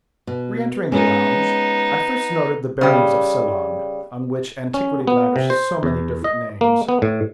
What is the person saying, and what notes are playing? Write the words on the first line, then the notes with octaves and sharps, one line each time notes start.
Reentering the lounge, I first noted the bearings of Ceylon, on which antiquity lavished so many different names.
B2
G#3 B3 C#4 D#4
C#3 G3
C#4
B3
C3
C5
E2
D#5
A#3
B3
A2